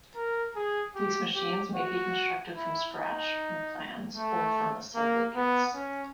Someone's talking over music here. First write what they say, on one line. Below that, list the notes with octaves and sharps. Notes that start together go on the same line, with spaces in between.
These machines may be constructed "from scratch", from plans, or from assembly kits.
A#4
G#4
G4
G4
F#4
E4
D#4
A3
A#3
B3
C#4